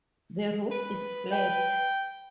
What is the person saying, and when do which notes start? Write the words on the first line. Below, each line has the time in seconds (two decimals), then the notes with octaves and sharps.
The roof is flat.
0.71 B4
1.32 G5